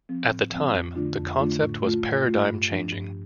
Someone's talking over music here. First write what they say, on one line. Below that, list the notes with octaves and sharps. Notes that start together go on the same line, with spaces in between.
At the time, the concept was paradigm changing.
F3 C4
A2
F3 C4
F2
D3 A3 D4 F4
F2
D3 A3 D4 F4
A2
A3 F4
A2
A3 F4
G2
F3 D4
G2